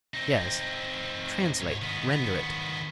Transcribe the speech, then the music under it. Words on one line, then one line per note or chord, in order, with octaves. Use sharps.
"Yes, translate, render it."
C4 D#4
G#2 C#5
D#3 B3